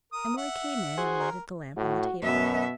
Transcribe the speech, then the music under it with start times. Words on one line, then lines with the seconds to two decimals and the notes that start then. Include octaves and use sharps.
Emily came in and lighted the lamp on the table.
0.12 A#4 D#6
0.37 E5 F#5
0.98 F#4 G#4 C5
1.19 A#4
1.77 A2 F#4
2.22 F#2 B2 B3 E5